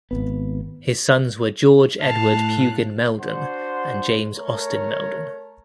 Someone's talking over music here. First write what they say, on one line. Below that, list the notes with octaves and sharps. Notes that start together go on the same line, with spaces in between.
His sons were George Edward Pugin Meldon and James Austin Meldon.
G#1 E2 B3
A2 F5 A5 F#6
D4 F#4 C5 F#5 C6
A3 A#4 C#5